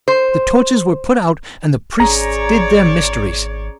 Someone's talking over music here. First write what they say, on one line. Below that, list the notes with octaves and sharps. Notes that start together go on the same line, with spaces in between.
The torches were put out and the priests did their mysteries.
C5
G#1 C#4 G#4 C#5 D5 A#5